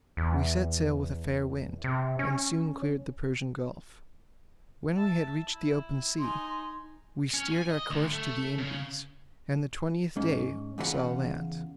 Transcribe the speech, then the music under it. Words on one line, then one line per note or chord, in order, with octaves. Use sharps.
We set sail with a fair wind, and soon cleared the Persian gulf; when we had reached the open sea, we steered our course to the Indies; and the twentieth day saw land.
E2
C3
C#4
E5 A5
E4
D#4 G#5 C6
C#4
G#5
D#5
D2
A3
C#3
G#2 C#4
E2 C#3 F4 F#4 F#5